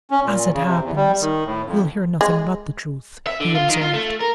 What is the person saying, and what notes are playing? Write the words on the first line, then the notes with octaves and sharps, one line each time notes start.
"As it happens, you'll hear nothing but the truth," he observed.
C#4
A#2
C#3
C3
E2
G3
D#3
A2
F2
G#3
E5
D3
F4
D#3
F4
A3
A#4